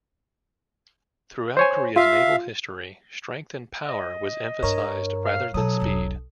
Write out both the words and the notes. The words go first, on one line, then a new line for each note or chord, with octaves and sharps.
Throughout Korea's naval history, strength and power was emphasized rather than speed.
C5 C#5 G#5
F4 E5 F5
D#5
G2 A#4 C#5
F5
B2 F#3 A4 D#6
E1 B1